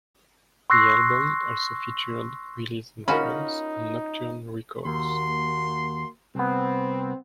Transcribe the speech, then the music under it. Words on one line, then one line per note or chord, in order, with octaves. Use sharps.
The album also featured release in France on Nocturne Records.
C6 C#6 E6 F#6 A#6 C7
C#4 D#4 F4 F#4 A#4 B5
D#2 A#3 F#4 C6
C2 B3 C4